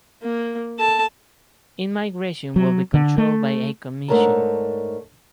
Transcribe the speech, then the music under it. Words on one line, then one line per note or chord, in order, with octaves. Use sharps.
Immigration would be controlled by a commission.
A#3
A4 A5
F#3
D3
A3
G#2 A3 D4 A#4 C#5 A5